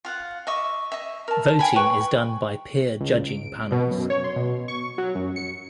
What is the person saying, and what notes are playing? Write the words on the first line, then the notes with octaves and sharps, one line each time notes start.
Voting is done by peer judging panels.
F4 F5 F#5
D#5 E5 C#6 D6
D#5 E5
A#4 A5
G5 G#5 B5
B4 G5 B5 C#6
C#2
D7
B2
F#2
C#5
C6
B2
C#6
F#3
F#2
C#7